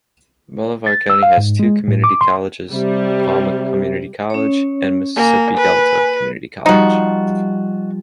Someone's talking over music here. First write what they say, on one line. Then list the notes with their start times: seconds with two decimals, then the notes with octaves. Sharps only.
Bolivar County has two community colleges: Coahoma Community College and Mississippi Delta Community College.
0.86 A6
1.10 E6
1.23 F5
1.37 G#2
1.59 G#3
1.88 A2
2.04 D6
2.21 C6
2.72 C3 G3
4.30 C#4 C#5
5.16 A#3 G#5
5.57 B4
6.66 F3 G3 D#4 F#4